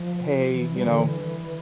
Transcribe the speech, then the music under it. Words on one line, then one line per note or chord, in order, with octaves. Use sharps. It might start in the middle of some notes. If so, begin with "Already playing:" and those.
"Hey," you know,
Already playing: F3
E3
G3
D3
E3
E3